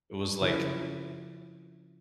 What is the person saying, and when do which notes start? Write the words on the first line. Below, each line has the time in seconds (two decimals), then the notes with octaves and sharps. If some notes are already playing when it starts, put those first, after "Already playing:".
it was, like,
0.42 C#3 F3 E4